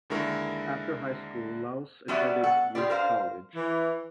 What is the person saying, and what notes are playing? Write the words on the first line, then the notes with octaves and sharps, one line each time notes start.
After high school, Lohse attended Butte College.
D#2 D3 G#3 E4 A#4 C#6
F#3 G3 B3 F#4 D5 E5
A4 F#5
F4 G4 G#4 B4 D5
A#4 C5 E5 F5
E3